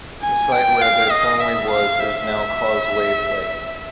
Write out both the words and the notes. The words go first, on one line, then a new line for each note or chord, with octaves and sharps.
The site where there formerly was is now Causeway Place.
G#5
G5
F5
D#5
E5
F5
E5